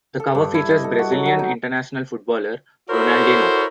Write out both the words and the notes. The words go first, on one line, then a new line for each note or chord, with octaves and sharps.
The cover features Brazilian international footballer Ronaldinho.
A4
G2
E4
D#5
A4
F#4
F#3
F#3
D#4
E4 F#4 A4 A#4 C5 C#5